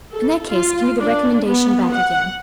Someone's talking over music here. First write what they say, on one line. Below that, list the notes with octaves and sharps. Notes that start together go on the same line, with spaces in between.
"In that case give me the recommendation back again."
A4
F4
D4
B3
F#5